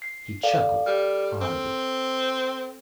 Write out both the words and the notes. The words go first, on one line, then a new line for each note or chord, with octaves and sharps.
He chuckled audibly.
C7
A4 D5 F5
G3 A4 F6
C4